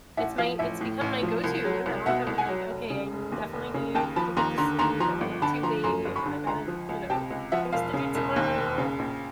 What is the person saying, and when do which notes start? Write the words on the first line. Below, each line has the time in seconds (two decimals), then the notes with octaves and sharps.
it's my it's become my go-to now if I'm, like, "Okay, I definitely need to get to sleep, and I'm up too late and I gotta you know, things to do tomorrow.
0.17 A1 E5 F#5
0.38 F3 F5
0.59 A1 E5
0.81 A2
1.01 A1
1.22 F3
1.44 C2
1.65 F#3
1.86 C2
2.06 B2 E5 F#5
2.27 C2
2.38 F#5 G#5
2.48 F#3
2.70 F1
2.90 C#3
3.11 F1
3.32 D#2
3.53 F1
3.74 C#3
3.95 D#2 G5 A5
4.16 F3 A5 B5
4.37 D#2 A#5 C6
4.58 D3 A#5 C6
4.79 D#2 A#5 C6
5.00 F3 A#5 C6
5.21 G1
5.42 D3 A5 B5
5.63 F3 A#5 C6
5.84 F#2 A#5 C6
6.05 G1
6.16 B5 C#6
6.26 D3
6.47 C#2 A#5 C6
6.68 F3
6.89 C#2
7.10 C3 G5 A5
7.31 C#2
7.52 F3 E5 F#5
7.72 E1 F5
7.94 C#3
8.15 E1
8.36 D#2
8.57 E1
8.78 C#3
8.99 A#1